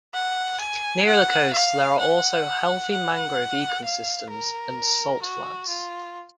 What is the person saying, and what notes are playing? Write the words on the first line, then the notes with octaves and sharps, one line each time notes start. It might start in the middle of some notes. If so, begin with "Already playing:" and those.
Nearer the coast there are also healthy mangrove ecosystems and salt flats.
F#5
G#5
F#5
F5
F#5
F#5
F5
A#4
F#4
F4